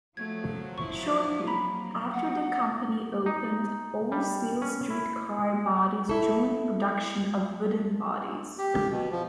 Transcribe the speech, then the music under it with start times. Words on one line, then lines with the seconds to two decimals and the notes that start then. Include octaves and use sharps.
Shortly after the company opened, all-steel streetcar bodies joined production of wooden bodies.
0.17 F3 F#3 A3 G#6
0.78 E4 C#6
1.47 A#3 A#5 B5 B6
2.13 F#5
3.26 D#4
4.12 G3
4.62 C#4
4.90 E4
6.09 E4 A4
8.58 G4
8.91 B2
9.11 F3